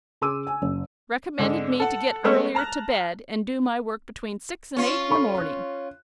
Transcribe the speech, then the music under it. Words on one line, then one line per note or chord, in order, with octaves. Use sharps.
Recommended me to get earlier to bed, and do my work between six and eight in the morning!
C#3 G#4 C6 D6 E6 D#7
G#5
F#1
G#2 D3 G#3
A4 F#5
G#3 A3 B3 C#5
A5 A#5 F6 F#6
C#4 F4
A4 B5 C#6
F#6